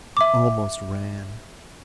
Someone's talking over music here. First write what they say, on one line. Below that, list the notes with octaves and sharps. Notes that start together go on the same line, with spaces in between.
He almost ran.
E5 D6